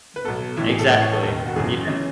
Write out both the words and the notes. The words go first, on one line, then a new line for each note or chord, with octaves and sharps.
meh exactly, yeah.
B4
B1 B2 A4
A1 A2 E3 E4
G#4
A4
A1 A2 E3 B4
C#5
A4
E1 D#2 D#3 A4
F#4
F#1 F#2 C#3 E3 G#4
C#3 E3